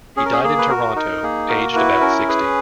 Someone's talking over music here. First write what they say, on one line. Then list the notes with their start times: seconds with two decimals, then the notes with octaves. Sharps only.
He died in Toronto, aged about sixty.
0.17 C#4 G#4
0.25 A#4
0.33 G#4
0.44 A#3 G#4
0.58 B4
0.69 F#4 A#4
0.96 D#4 A#4
1.23 A#3 G#4
1.49 F#4 A#4
1.76 E4 B4
2.01 C#4 A#4
2.28 G#4 B4